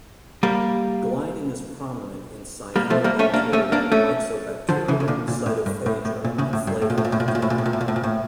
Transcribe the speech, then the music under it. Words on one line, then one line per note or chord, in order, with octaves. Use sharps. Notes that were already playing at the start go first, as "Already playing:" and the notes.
Gliding is prominent in cyanobacteria, myxobacteria, cytophaga, and flavobacteria.
G3 A#3
G3 A#3
F3 A3
G3 A#3
A3 C#4
A#3 D4
A3 C#4
A#3 D4
A3 C#4
D3 F3
C#3 E3
C#3
A#2 D3
A#2
A2
G2
A2
A2
A#2
A2 C#3
A2
G2
A2
A#2
A2
A#2
A2
A#2
A2
A#2
A2
A#2
A2
A#2
A2
A#2
A2
A#2
A2